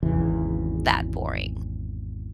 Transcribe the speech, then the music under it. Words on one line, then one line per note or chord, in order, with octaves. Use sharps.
that boring.
G#1 E2 C#3 E3